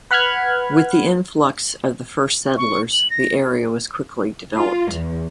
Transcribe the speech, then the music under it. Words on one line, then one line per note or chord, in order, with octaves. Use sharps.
With the influx of the first settlers, the area was quickly developed.
B4 F#5 B5 F6 F#6 G#6
C#6
F#7
A#6
F4
E2